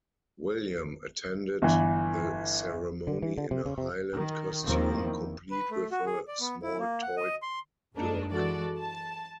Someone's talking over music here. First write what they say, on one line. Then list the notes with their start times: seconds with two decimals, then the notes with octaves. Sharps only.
William attended the ceremony in a Highland costume, complete with a small toy dirk.
1.62 G1 E3
3.07 D3
3.22 E3
3.38 D3
3.51 C3
3.66 C#3
3.78 C3
4.14 D#3
4.63 D#2 D#3 F3 A#3 C4
5.02 E2
5.51 B4
5.71 A3
5.92 F#4
6.06 G#4
6.28 D5
6.40 B3
6.63 E4
6.79 A#3
7.02 F#5
7.17 D#5
7.42 C6
7.94 F#2 G#3 A#3 D4 D#4
8.31 E3 G#3 F#4 A4 D5
8.77 A5